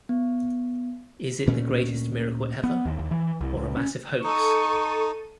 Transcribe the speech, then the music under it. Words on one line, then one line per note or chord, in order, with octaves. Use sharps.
Is it the greatest miracle ever or a massive hoax?
B3
D2 A#2 A3 C#4
B3
D#2
D#2
E3
C2
C#2
C#4
D#4 A4 C#6 D#7